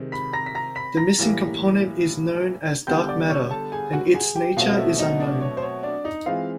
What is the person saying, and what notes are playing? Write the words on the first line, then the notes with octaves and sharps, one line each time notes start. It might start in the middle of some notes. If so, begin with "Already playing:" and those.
The missing component is known as dark matter and its nature is unknown.
Already playing: C3 D#3 G#3 C4
B5 B6
A#5 A#6
B6
A#5 A#6
B5 B6
A#5 A#6
A2 E3 G3 A#3
D3 G3 B3 G5 G6
D5 D6
C#5 C#6
A4 A5
G#4 G#5
F#4 F#5
G#4 G#5
G4 G5
B2 F#3 A3 C4 F4 F5
D#5
E4 E5
D#4 D#5
D4 D5
C#5
C5
C#5
D4 D5
D#4 D#5
E3 G#3 C4 F4 F5